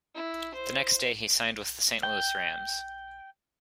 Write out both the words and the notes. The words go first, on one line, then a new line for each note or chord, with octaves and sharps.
The next day, he signed with the Saint Louis Rams.
E4
C5
G5